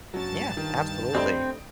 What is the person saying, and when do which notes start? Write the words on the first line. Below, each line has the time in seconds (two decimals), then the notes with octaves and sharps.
Yeah, absolutely.
0.14 G2 F#3 C#4 A5 A6
0.57 D#3
1.15 D3 G3 A3 C4 D#5 G5